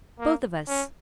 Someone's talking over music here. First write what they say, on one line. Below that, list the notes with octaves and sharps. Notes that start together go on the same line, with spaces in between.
'Both of us.
A#3
C#4